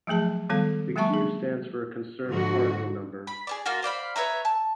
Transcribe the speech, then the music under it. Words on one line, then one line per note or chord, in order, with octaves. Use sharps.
The Q stands for a conserved particle number.
F3 F#3 A3 G#4 A5
D#3 G3 B3 A4 F5
F#3 G#3 A#3 E5 A5 C#6
G#4
G#2 D3 F3 F#4
B5
G#4 C#5 D5
A#3 F4 F#4
C5 D5 F5 B5
B4 C#5 E5 A#5
A5